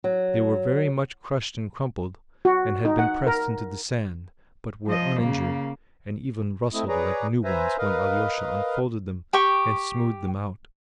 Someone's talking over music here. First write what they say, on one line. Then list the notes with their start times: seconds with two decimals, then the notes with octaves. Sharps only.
They were very much crushed and crumpled, and had been pressed into the sand, but were uninjured and even rustled like new ones when Alyosha unfolded them and smoothed them out.
0.04 F#3
2.45 F#4
2.85 D#4
2.99 F#5
3.27 A#4
4.87 F3 D#5
5.20 C#3 A#3
6.73 A3 C4 E4 D#5
6.88 G#4 B4 C#5 D5 A#5
7.44 B4 C5 E5 G#5 A#5
7.78 A#4 B4 D#5 F5
9.33 G4 G5 C#6